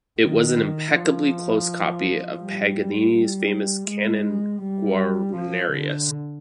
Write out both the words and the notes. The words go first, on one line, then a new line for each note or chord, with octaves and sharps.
It was an impeccably close copy of Paganini's famous Cannone Guarnerius.
D#3
F3
G3
G3
G#3
G3
F3
D3